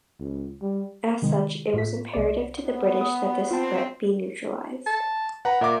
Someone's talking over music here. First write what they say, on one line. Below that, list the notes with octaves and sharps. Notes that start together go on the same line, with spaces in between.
As such, it was imperative to the British that this threat be neutralised.
C#2
G3
C3 D#3 G#3
A2 F4 B6
C2 G#4 D5
B3
D#6
C4 F4 A5
A5
B4 F#5 A#5
A#2 A#4 E5 D6